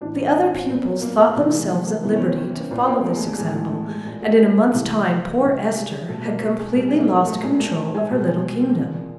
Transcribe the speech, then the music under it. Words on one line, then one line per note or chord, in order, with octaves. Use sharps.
The other pupils thought themselves at liberty to follow this example, and in a month's time poor Esther had completely lost control of her little kingdom.
A2 E3 D4
C4
C#4
C4
A#2 B3
A#3
A#3
C3 E3 A#3
G#3
A3
A#3
C3 E3 B3
C#4
C4
C#4
C#4
A#2 B3
A#3
A3
G#3
G#3
A2 E3 G#3
A3
A3
G#3
A#2 G#3
A3
G3
G#3
G#3
C3 E3 A3
C3 D#3 G#3
G3
G#3
G#3
B2 A3
A#3
A3
G#3
B2 G3
G#3
A#3
A3
A3
A#2 G#3
A3
G#3
G#3
B2 G3
G#3
A#2